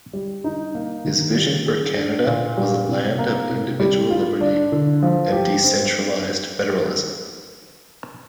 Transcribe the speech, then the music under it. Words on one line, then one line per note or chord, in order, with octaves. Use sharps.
His vision for Canada was a land of individual liberty and decentralized federalism.
G3
D#4
A#3
D#3
G3
G#4
D4
A#2
G3
C3
A#3
C3
G3
F4
D4
D3
F3
G4
C4